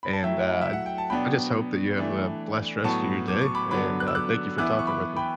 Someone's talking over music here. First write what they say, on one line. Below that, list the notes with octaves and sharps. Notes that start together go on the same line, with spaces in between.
And, uh, I I just hope that you have a blessed rest of your day and, uh, thank you for talking with me.
B5
A5
F#3 A3 E4 E5 G5
E5
F#5
G5
A5
B2 F#3 B3 D4 G5 B5
E3 A3 D4
A2 F#3 B3 A5 C#6
D6
C#6
B5 D6
D3 F#3 B3 D4 B5 D6
F#6
E6
D6 F#6
E3 B3 E4 D6 F#6
C#6
B5 D6
G5 B5